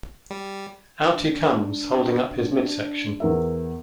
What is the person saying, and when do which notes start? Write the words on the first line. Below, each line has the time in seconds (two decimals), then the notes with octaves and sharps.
Out he comes, holding up his midsection.
0.30 G3
1.11 D4
2.28 D4
3.20 E2 A#4 E5